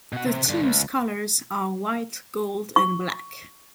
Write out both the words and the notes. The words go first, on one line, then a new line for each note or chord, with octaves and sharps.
The team's colours are white, gold and black.
B2 F#5
C3
G2 D3
C#2
C#6